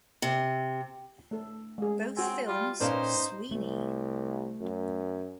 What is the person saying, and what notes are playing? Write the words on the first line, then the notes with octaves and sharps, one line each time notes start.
Both films, Sweeney!
C3
A3 A4
G#3 G#4
C4 F#4 G#5
G3 F4
A#2 C#4 D#4 B4 C5 F5 A5
C2 A3
F#2